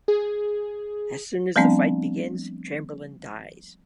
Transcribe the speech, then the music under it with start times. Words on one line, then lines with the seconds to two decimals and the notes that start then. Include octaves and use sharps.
As soon as the fight begins, Chamberlain dies.
0.08 G#4
1.56 F3 G3 A3 B3 C4 D4